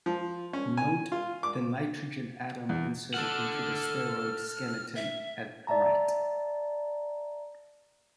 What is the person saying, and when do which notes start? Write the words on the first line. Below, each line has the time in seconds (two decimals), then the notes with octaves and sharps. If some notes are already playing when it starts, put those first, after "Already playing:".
Note the nitrogen atom inserted into the steroid skeleton at right.
0.06 F3
0.53 C#4
0.77 G#5
1.12 F4
1.43 D6
2.69 E2
3.14 A4 F#5 F6
4.95 E5
5.67 D5 E5 A5 A#5